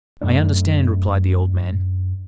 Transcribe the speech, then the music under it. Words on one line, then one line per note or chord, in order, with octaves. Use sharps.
"I understand," replied the old man.
F#2 A3 D4